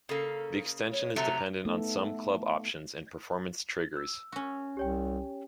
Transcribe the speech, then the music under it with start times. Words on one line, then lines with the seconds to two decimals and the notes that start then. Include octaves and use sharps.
The extension is dependent on some club options and performance triggers.
0.09 C#3 A#3 A4
0.92 C#5
1.16 C3 F#3 A3 A#5
1.65 A3 B3 D#4 A4
3.97 E6
4.32 C#4 F#4
4.77 C2 G4 C#5 G5